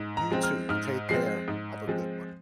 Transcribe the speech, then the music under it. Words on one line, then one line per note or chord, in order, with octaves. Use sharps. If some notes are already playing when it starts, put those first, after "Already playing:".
You too, take care, have a good one.
Already playing: G#2
A#5
F3 G#3 C4
F6
G#2 F6
F3 G#3 C4 C7
G#2
F3 G#3 C4